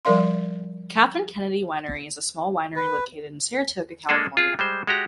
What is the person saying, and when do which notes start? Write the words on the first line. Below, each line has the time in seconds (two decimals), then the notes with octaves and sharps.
Kathryn Kennedy Winery is a small winery located in Saratoga, California.
0.05 F3 G3 A#4 D5 F5 C6
2.76 B4
4.09 G#3 A#3 D4 G#4 A4
4.37 F4 G#4
4.59 G3 G#3 C5
4.87 G#3 F#4 G4 A#5